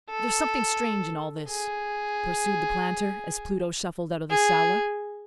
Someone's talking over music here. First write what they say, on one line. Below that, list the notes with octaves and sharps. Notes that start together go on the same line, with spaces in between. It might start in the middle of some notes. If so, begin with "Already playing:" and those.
"There's something strange in all this," pursued the planter, as Pluto shuffled out of the sala.
A4
G#4
G#4